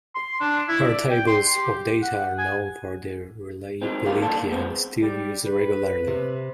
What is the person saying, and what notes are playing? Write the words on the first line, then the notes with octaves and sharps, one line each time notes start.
Her tables of data are known for their reliability and still used regularly.
C6
D4
E4
D5
G5
C6
G4
F#5
G#5
D#3 F3 F#3 G#3 C4
C#3 G3 A#3 D#4 F4 G4
A#2 D#3 F3 G3 D4 A4
A#2
G#3 B3 C4
G3
B4
C3